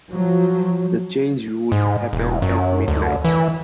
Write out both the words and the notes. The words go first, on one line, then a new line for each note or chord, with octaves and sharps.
The change would happen at midnight.
F3 F#3
G#2
E1
F#2
D2
E3